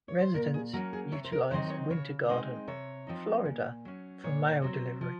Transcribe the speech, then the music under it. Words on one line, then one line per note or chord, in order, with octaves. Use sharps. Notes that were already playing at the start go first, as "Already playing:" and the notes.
Residents utilize Winter Garden, Florida for mail delivery.
C#5
C5
A#2 A#4
G#4
F#3 A#3 C#4 F#4
G#4
C3 C#5
C5
A#4
D#3 F#3 C4 D#4 C5
D#5
C#5
C#3 C#5
G#3 C4 D#4 C5
C3 C#5
F3 C4 D#4
A#2
F#3 C#4
A#2 C#5
F#3 C4
F3